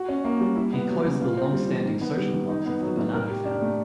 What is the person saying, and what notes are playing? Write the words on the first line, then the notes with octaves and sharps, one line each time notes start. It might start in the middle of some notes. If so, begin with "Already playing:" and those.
He closed the long-standing social clubs of the Bonanno family.
Already playing: F#4
C#4
A#3
G3
E4
B3
F#3
C#3
F4
C4
G3
E3
D#3
B3
G3
D#3
D#4
B3
F#3
A2
A#4
G4
D4
A3